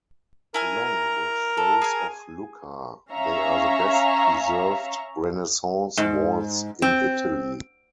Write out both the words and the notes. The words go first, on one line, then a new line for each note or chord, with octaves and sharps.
Along with those of Lucca, they are the best preserved Renaissance walls in Italy.
E4 A#4 G#5 A#5 F6
A4
G#4 G#5
C#4 E5 F5 A#5 C#6
G#2
C4